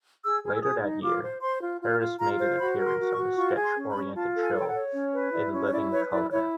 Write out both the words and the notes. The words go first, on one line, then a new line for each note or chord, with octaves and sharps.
Later that year, Harris made an appearance on the sketch-oriented show "In Living Color".
G#4 E6
G#4 F6
E6
G#4 D#6
D#4
F4 D6
C5
C5 C6
F4
F4
F4
F4 A#5
C5
F#4 B5
A#4
C6
F#4
C#6
F#4
F4 C#6
G#4
C6
C#4
B5
C#4
F4 A5
A4
G#5
C#5
G5
F#5
C#5
C#4
B4
E4 D5
C#4
C#5
E4 D5
B4 C#5
E4 D5
E4 C#5